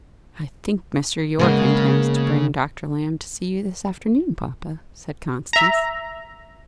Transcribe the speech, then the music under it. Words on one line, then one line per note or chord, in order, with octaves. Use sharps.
"I think Mr. Yorke intends to bring Dr. Lamb to see you this afternoon, papa," said Constance.
C#3 G#3 A#3 B3
E5 A#5